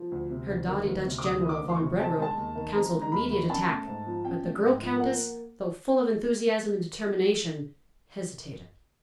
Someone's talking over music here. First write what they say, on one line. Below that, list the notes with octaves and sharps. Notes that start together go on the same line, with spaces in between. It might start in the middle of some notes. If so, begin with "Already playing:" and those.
Her doughty Dutch general, von Brederode, counselled immediate attack, but the girl countess, though full of enthusiasm and determination, hesitated.
Already playing: F3
D2
C3
D2
D#3
D2
C3
D6
D2 D#6
D#3
D6
D2
C6
C#6
C3
C4 A5
G#5
G#3 A5
D#2
D#3
C4 A#5
G#3
A#5
D#2 B5
D#3
C#4 A5
A3
G#2
F3
C#4 G5
A3
G#2
F3
A#3 F#5